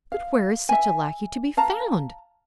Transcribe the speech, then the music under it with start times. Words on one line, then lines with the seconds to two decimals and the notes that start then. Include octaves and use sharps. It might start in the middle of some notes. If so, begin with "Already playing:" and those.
"But where is such a lackey to be found?"
0.12 F5
0.69 E5 G#5
1.57 F5 A5 A#5